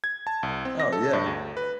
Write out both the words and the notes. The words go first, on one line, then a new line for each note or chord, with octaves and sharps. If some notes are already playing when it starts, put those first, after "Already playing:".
Oh, yeah.
G#6
A5
C2
C4
A#6
A4
G2
D2
B4